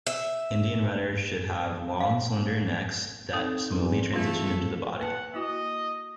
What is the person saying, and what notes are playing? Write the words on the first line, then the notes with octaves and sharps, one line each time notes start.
Indian Runners should have long, slender necks that smoothly transition into the body.
E5
F5
C4 D#4 A4
E2 C4
G#2 E3 A3 F4 A4
A#3 B4 F#5 A5
A#3 E4 F#4 D#5